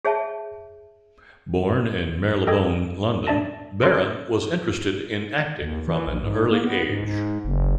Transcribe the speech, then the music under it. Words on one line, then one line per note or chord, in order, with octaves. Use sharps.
Born in Marylebone, London, Barron was interested in acting from an early age.
G#4 C#5 E5 A5
A4 D#5 G5 D6 D#6 G#6
D4 D5 E5 A5 A#6
C#4 A4 D5 C6 A#6 D7
D#2
E3
A#1
G#2
A#3
B3
G#2
G#2
F#1